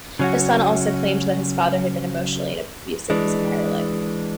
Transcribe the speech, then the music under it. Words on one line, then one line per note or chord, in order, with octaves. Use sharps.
The son also claimed that his father had been emotionally abusive his entire life.
C#3 F#3 C#4 F#4
E3 G#3 D4